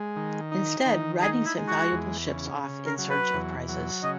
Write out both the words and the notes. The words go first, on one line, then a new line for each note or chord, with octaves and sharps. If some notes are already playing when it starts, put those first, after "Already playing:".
Instead, Rodney sent valuable ships off in search of prizes.
Already playing: G#3
D#3
D#4
D#3
D#4 G#4
E4
G#3
F#4
E2
C#3
C#3
A#4
F#3
B4
E2
F#3
C#3 D#5